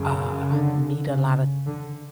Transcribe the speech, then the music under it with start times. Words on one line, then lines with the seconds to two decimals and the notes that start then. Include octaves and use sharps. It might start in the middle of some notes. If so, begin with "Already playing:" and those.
uh, meet a lot of
Already playing: F#2 C#3
0.50 D3
1.07 C#3
1.66 D3